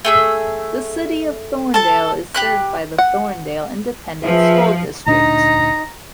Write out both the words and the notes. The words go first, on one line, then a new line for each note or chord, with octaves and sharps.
The City of Thorndale is served by the Thorndale Independent School District.
A3 G#4 E6
A4 A5
G4 B5 F#6
F#5
F3 G#4 B4 E5
D2 A#2 D4 D#4 A#5